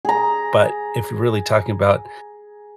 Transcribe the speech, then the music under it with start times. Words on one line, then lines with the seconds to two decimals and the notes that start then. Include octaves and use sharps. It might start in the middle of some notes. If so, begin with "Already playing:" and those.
but if you're really talking about
0.05 G#4 A#5